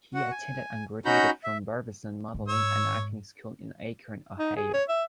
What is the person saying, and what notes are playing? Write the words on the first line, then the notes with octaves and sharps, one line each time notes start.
He attended and graduated from Barbizon Modeling and Acting School in Akron, Ohio.
F#4 F#5
G#5
C#4 D#4 F#4 A#5 B5 G6
E5
G#2
C#5 E6
D#4
G#4
C#5
E5